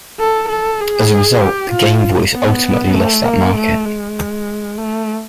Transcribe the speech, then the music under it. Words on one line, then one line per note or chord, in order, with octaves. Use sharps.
As a result, the Game Voice ultimately lost that market.
A4
A4
G#4
G4
F4
B3
A3
A#3
A3
G#3
A3